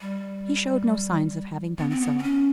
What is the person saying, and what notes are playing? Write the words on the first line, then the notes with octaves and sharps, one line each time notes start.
He showed no signs of having done so.
G3
B3
C4
B3
C4
C#4